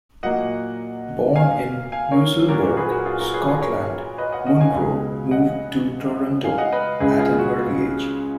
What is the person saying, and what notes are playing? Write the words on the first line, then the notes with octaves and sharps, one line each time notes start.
Born in Musselburgh, Scotland, Munro moved to Toronto at an early age.
A#2 F#3 A#3 D#5 F#5
F5 G#5
F5 G#5
A#4 C#5
A#2 F#3 A#3 F#4 A#4
F#4 A#4
G#4 B4
F#4 A#4
F4 G#4
F#4 A#4
G#4 B4
G#4 B4
A#4 C#5
B4 D#5
D#5 F#5
D#5 F#5
F5 G#5
C#2 B2 G#3
D#5 F#5
F5 G#5
D#5 F#5
B4 D#5
C#2 C#3 G#3 G#4 B4
F4 G#4
F#4